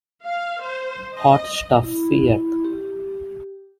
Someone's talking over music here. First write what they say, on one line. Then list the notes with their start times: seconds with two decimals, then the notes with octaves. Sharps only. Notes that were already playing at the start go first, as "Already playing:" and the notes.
Hot Stuff feat.
0.25 F5
0.62 C5
1.16 D#5
1.83 E4
2.65 G4